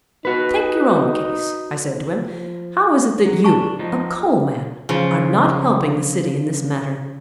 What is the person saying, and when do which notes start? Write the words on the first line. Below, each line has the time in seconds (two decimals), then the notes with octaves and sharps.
'Take your own case,' I said to him, 'how is it that you, a coal man, are not helping the city in this matter?
0.25 D#4 F#4 B4
2.23 F3
3.26 F#3
3.44 D4 A5 C#6
3.79 F3 D#4
4.89 C#3 F3